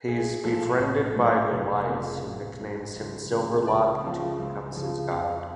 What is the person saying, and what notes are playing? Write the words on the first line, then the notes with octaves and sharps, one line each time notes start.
He is befriended by Golias, who nicknames him "Silverlock" and who becomes his guide.
B1 G#4
A2 F3 A4
B4
A1 C#5
A2 F#3
F1
F2 C#3
A1
G#2 F#3
C#2
C#3 F3
C#2 D5
C#3 F3
C#2
C#3 F3
F2 F5